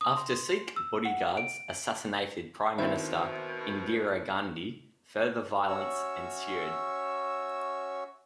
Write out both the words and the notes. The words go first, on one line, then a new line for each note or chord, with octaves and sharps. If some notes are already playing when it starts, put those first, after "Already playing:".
After Sikh bodyguards assassinated Prime Minister Indira Gandhi, further violence ensued.
D#6
C6
E6
F#5
D7
B2 D#3 C4 E4 C5 E5 B5
C#4 F#4 C#5 E5 E6